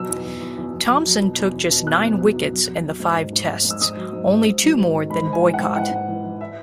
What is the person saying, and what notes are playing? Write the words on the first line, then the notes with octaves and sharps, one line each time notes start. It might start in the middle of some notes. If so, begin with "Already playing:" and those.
Thomson took just nine wickets in the five Tests, only two more than Boycott.
Already playing: B2 F#3 E6
E2
E2
E2
E2
E2
F#3
F#3
B2
E2
E2
B2
B2 F#6
E2
F#3
E2
F#3
F#3
F#3
G#2
G#2
G#2
G#2
G#2
E6
G#2 D#6
F#3
G#2
G#2
G#2
F#3
G#2
D#3
G#2 B5
G#2
G#5
E3
F#5
G#2
E3 F#5
G#2
E3
E3
E5